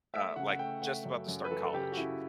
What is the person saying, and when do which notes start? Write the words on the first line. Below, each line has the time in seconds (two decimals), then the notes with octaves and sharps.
uh, like, just about to start college,
0.14 A3 E5
0.36 C#3 F#5
0.48 F#5
0.59 A3 G5
0.82 A3 F#5
1.05 F#2
1.28 F#2
1.44 B4
1.51 F#3 A4
1.65 A4
1.74 C#3 G4
1.92 F#4
1.97 C#3 E4